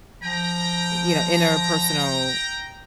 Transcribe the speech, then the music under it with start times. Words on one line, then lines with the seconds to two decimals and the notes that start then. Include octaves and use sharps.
you know, interpersonal
0.23 F3 G5 A#5